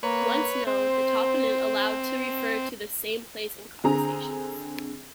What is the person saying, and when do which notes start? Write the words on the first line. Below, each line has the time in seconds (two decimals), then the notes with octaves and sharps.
Once known, the toponym allowed to refer to the same place in conversations.
0.03 A#3 B4 C#5
0.67 C4 C5
3.84 D3 C4 G#4 A#5